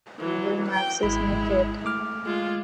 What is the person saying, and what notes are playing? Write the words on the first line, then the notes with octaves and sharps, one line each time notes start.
Will maxis make it?
E3 F#3
G5
G#1 G#3 E4 B5
A3 D6 F6
G#3 F4